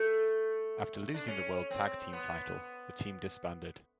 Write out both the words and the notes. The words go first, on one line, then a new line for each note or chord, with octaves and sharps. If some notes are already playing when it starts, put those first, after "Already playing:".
After losing the World Tag Team title, the team disbanded.
Already playing: A3
D4
C#4
C4
B3